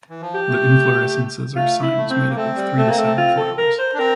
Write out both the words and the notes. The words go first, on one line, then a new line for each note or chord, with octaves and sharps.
The inflorescences are cymes made up of three to seven flowers.
E3
F3
G4
A3
A3 F4
E4
A3
C4
A#3
A3 C4
G3
A3
A#3
A3
F4
A4
A#4
C5
D4
C4 A#4